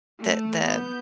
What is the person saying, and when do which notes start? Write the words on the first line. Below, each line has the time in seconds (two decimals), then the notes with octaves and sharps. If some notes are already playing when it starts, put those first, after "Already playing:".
the the
0.20 A3
0.65 B3 G6